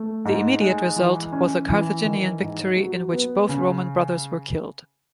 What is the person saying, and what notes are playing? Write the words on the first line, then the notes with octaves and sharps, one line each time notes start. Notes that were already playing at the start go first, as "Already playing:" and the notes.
The immediate result was a Carthaginian victory in which both Roman brothers were killed.
Already playing: A3
G#2
G#3
E3
C#4
E3
D#3
G#2
F#3
B3
C#3